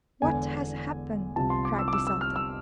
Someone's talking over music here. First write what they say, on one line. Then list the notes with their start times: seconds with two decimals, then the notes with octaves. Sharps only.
What has happened?' cried the Sultan.
0.22 E1 E2 D3 G#5
1.36 C2 C3 F3 A5
1.50 C6
1.65 D6
1.78 E6
1.88 D6
1.93 E6
2.07 E6
2.21 F6
2.36 E6